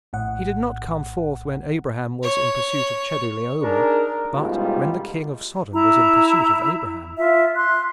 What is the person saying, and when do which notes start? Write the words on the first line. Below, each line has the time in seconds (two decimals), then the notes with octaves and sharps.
He did not come forth when Abraham was in pursuit of Chedorlaomer, but when the king of Sodom was in pursuit of Abraham.
0.13 A#1 A2 F#5
2.23 C#5
3.63 D4 D#4 G#4 A#4
4.33 A1 G#2 B2 G3 G#3 F4
5.72 E4 A#5
7.17 F4 E5
7.55 C6 F#6